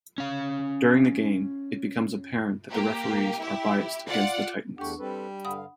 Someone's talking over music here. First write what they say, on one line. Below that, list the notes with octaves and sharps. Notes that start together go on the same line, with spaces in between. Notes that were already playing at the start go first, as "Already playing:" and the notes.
During the game, it becomes apparent that the referees are biased against the Titans.
C#4 F5
A#3 G4
E4 G4
F4 D5 F5 F#5
E2 A3 D4 G4 F#5 C#6
G3 C4 A4 B4
G2 D3 F5 F#5 B5 D#6